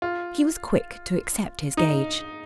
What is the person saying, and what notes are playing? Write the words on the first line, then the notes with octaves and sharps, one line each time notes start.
She was quick to accept his gage.
F4
D#4